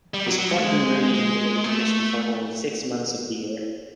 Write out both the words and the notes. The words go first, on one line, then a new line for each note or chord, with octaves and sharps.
The Squadron remained in commission for only six months of the year.
G3
F#3
F#3
G3
A3
G#3
G#3
A3